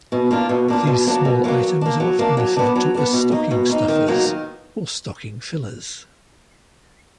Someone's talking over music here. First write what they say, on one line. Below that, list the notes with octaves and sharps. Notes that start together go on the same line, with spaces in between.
These small items are often referred to as stocking stuffers or stocking fillers.
B2
A#3 D4 F4
B2
A#3 D4 F4
B2
F#3 A#3 D4
B2
F#3 A#3 D4
F#3
A#3 D4
F#3
A#3 D4
F#3
B3 D4
F#3
B3 D4
B2
A#3 D#4
B2
A#3 D#4
D#3
F#3 A#3 D#4
D#3